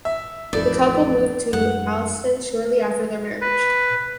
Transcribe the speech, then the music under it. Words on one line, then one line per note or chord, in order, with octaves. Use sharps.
The couple moved to Allston shortly after their marriage.
E5
A1 F2 D#4 A4 B4 D5
F#2 G#3 A3 F#5
B4